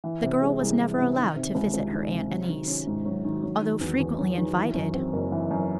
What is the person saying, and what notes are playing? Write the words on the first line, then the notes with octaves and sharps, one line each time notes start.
The girl was never allowed to visit her Aunt Annice, although frequently invited.
E3
C3
G#3
C2
E3
C3
D#3
C3
C#2
C#2
D#3
C3
F#3
D#3
C#4
G#2
F#3
D#3
F#3
D#3
E2
E2
F#3
D#3
E3
F#2
C4
F#1
E3
F#2